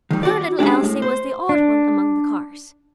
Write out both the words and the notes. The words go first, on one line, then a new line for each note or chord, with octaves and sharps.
Poor little Elsie was the "odd one" among the Carrs.
D#3 G3
F#4 D5
G#3 C#4 D4 G4
A2
C5
D4